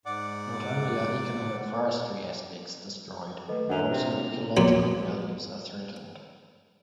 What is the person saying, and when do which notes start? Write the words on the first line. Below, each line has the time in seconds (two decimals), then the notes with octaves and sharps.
Not only are economic forestry aspects destroyed, but also ecological values are threatened.
0.06 G#2 D5 F#5 D6
3.48 D#3 F#3 A3 A4 B4 D#5
3.69 F#2 D4 F#5 G#5 A#5 F7
3.88 C3
4.12 B3 F7
4.57 A#2 F#3 B3